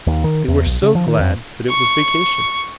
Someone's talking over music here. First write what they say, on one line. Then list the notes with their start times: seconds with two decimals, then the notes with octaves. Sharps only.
They were so glad that it was vacation!
0.07 D#2
0.24 D#3
0.48 E2
0.66 B1
0.82 C#3
0.95 F3
1.08 D#3
1.20 F2
1.69 C#6